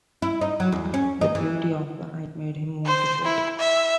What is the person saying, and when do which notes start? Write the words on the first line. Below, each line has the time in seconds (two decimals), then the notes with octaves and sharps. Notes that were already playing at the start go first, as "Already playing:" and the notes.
The beauty of the night made him want to shout.
0.22 E4
0.41 D#4
0.60 F#3
0.72 E2
0.94 C#4
1.21 D#4
1.35 E3
2.86 C5
3.24 E4
3.59 E5